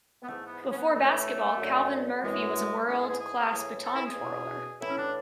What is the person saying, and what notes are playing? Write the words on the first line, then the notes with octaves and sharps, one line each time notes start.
Before basketball, Calvin Murphy was a world-class baton twirler.
B3
G#2 E3 A3
B3
C#4
B3
A2 E3 A3
F#2 D3
F#2 E3 G#3
G#2 E3 C#4
G#4
A4
G#4
G#4
A2 E3
A4
E4
G#4
E2 B2
A2 E3 E4
C#4
D4